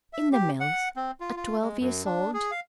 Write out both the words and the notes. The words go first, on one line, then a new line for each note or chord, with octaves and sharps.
"In the mills--at twelve years old!"
E5
G4
F#5
C4
F4
F4
G#3
F#2
D4
G#4
F5